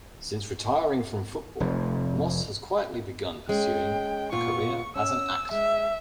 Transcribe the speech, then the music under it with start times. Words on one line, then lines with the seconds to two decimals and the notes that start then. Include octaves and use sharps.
Since retiring from football, Moss has quietly begun pursuing a career as an actor.
1.60 F1 F2
3.49 G#3 C#4 G5
4.32 A#2 B3 F4 C#6
4.96 C#4 E6
5.51 G#3 E5